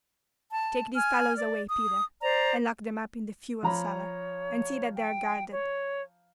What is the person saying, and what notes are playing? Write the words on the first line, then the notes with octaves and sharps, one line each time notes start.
Take these fellows away, Peter, and lock them up in the fuel-cellar, and see that they are guarded.
A5
G#5 F6
D5
D#6
C5 D5 A#5
F3 C#5 A#5 B5
G5
C#5